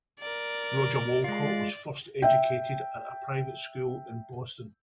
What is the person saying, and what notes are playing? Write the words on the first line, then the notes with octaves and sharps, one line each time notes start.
Roger Wolcott was first educated at a private school in Boston.
A#4 D5
G#3 F4 D5
E5 G5